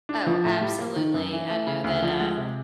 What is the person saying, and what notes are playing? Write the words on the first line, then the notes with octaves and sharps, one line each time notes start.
Oh, absolutely. I know that, uh,
D4
F3
A2
G3
A#3
D#3
F#2
E3
A3
C#3
D2
F3
G#3
C3